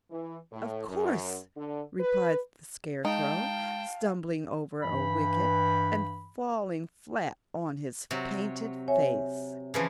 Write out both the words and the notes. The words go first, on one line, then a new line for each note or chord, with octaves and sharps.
"Of course," replied the Scarecrow, stumbling over a wicket and falling flat on his painted face.
E3
A2
F#2
D3
B4
G#3 D#4 F5 G5 A5
G2 E3 B5
C3 F#3
C#5 E5 G#5
C#3 E3 F3